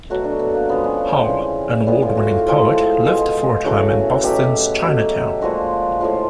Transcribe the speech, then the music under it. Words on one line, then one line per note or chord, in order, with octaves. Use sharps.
Hull, an award-winning poet, lived for a time in Boston's Chinatown.
B2 F#3 A3 F#4
D4
B3
A#3
C#3 F3 G#3 B3
C#4
C#4
C4
C#3 E3 G3
A2 E3 G3 B3
F4
F#4
F4
A2 F3 G#3
B2 G#3
C#3 E3 A3 F#4
B2 F#3 A3 G4
B2 F#3 A3
A#2 F3 G#3 F#4
A2 F3 G#3 F4